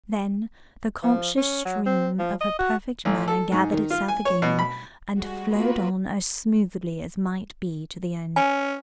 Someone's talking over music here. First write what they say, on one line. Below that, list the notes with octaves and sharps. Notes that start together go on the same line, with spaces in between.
Then the conscious stream of her perfect manner gathered itself again and flowed on as smoothly as might be to the end.
F3
C#4
F#3
C4
F3
D#5
F#4
A1
A4
G#2
D#3
F4
G#5
C#5
B2
B5
G3 G#3 F#4
A#3 B3 F4 F#4 B4
C#4 G#5